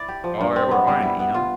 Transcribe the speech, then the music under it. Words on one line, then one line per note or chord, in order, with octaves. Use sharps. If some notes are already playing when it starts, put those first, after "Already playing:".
are or aren't, you know?
Already playing: E4 D5
G4
F3
G2
C4
B3
G3
E4
B3
F4